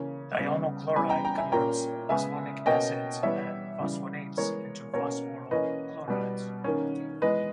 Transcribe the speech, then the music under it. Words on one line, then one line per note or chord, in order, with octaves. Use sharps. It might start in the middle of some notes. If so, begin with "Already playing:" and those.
Thionyl chloride converts phosphonic acids and phosphonates into phosphoryl chlorides.
Already playing: C#3 E3 A#3 C#4
C#3 G3 B3
E3 G3 B3 G#5 B5
G5 A#5
G5 A#5
E5 G#5
A#2 A#3 C#4 G5 A#5
C#3 G#3 B3 E5 G#5
B2 A#3 C#4 D#5 G5
E3 G3 B3 C#5 E5
C#3 E3 G3
E3 G#3 B3 A#4 C#5
B2 A#3 C#4 A#4 C#5
E3 A#3 C#4 B4 D#5
B2 G3 B3
D#3 A#3 C#4
E3 G#3 B3 B4 D#5